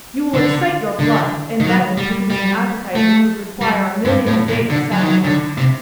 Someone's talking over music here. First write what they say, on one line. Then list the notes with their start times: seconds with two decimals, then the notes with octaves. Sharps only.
You will excite your blood, and that would produce an appetite it would require a million a day to satisfy.
0.34 D3
0.99 D3
1.60 D#3
1.65 F#3
1.98 G3
2.30 G3
2.95 A3
3.61 G3
4.05 G2
4.27 A2
4.48 A#2
4.70 D3
4.92 F#3
5.01 D#3
5.10 F#3
5.25 D3
5.58 C3